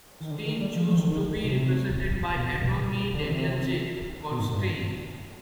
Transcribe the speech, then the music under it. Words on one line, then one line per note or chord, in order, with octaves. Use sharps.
Steyn chose to be represented by attorney Daniel J. Kornstein.
D#3
D3
D#3
G3
F3
F3
D#3
D3
D#3
B2
C3
B2
D3
C3
B2
G#2
G2